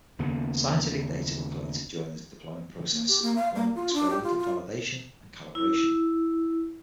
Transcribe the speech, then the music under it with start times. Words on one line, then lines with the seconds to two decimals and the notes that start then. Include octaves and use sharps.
Scientific data were collected during the deployment process, along with experimental validation and calibration.
0.19 D#2 C#3 A#3 B3
2.92 A#3
3.08 G4
3.22 A#3
3.35 F5
3.55 A#3
3.76 F4
3.93 D4
4.10 G4
4.24 F4
4.38 F4
5.55 E4